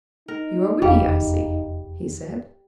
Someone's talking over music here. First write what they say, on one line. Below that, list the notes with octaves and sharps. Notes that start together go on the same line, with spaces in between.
"You are witty, I see," he said.
D#4 A#4
F1 E2 G3 G#4 F5